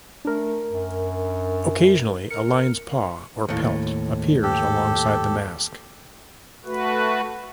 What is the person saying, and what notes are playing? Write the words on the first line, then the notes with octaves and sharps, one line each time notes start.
Occasionally, a lion's paw or pelt appears alongside the mask.
A3 D4 A#4
F#2
A#4 C#7
D#2 A2
G4 A4
A3 F#4 B4